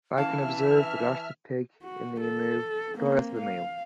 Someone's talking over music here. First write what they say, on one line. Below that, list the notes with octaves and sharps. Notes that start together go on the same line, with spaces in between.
They can observe the roasted pig in the imu prior to the meal.
E3 C#4 E4 E5 F5 A5 F6
F#4
A4
A#3 C4
F5